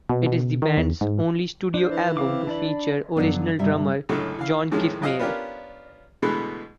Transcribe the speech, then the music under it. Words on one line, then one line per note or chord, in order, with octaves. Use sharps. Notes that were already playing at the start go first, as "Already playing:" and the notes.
It is the band's only studio album to feature original drummer John Kiffmeyer.
B2
B2
D#3
E2
G#2
D4 C5
E3
C4 F5 D6
D4 D5 B5
F#2 B2 D3 F3 B3 D4
G2 C3 G3 E5
C#2 F#2 A2 D3 A3
E3 F5
F2 A2 D#3 F3 G#3 C#4
F#3 F4 D#5 F5 D#6
B3 C#4 D4 F4 G4 A#4
B2 D3 E3 G#3 A3 B3